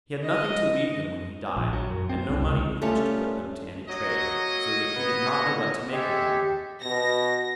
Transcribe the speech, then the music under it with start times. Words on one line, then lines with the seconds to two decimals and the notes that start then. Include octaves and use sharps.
He had nothing to leave them when he died, and no money with which to put them to any trade, so that he did not know what to make of them.
0.24 D#5
1.56 A#1
1.73 F#3
1.90 F#2
2.09 C4
2.29 C2
2.48 C#2
2.81 G3 A3 C#4 F4
3.89 F#3 A#3 C#5 D#5
4.96 B3
5.93 G#3 G4 A4 C#5 E5
6.83 B2 A#6